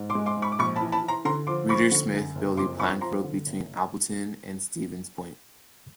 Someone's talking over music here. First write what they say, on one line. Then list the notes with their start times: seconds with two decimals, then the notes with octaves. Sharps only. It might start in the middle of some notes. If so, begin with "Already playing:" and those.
Reeder Smith built the plank road between Appleton and Stevens Point.
Already playing: G#2
0.10 C6 D6
0.15 G#3
0.26 C6 D6
0.37 G#2
0.42 B5 C#6
0.52 D6
0.59 A#1 B5 C#6
0.76 A5 B5
0.81 E3
0.92 A5 B5
1.03 E3
1.08 A#5 C6
1.25 D3 A#5 C6
1.47 F3 C6 D6
1.69 F3 B5 C#6
1.91 D3
2.14 F#2
2.35 F#1
2.57 F2 C6 D6
2.79 F2 B5 C#6
3.01 F3 A#5 C6
3.24 D3
3.46 F#1